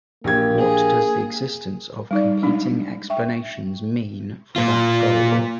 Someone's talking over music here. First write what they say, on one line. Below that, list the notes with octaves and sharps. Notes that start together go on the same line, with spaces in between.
What does the existence of competing explanations mean for that goal?
A#1 A#3 G4 G#6
G#4
G3 D#4 D5
F#3 G#3 D4 D#4
E5 G5 C#6
A#2 F4